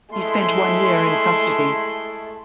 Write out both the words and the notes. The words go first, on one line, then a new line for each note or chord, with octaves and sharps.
He spent one year in custody.
G#3 A3 E4 C6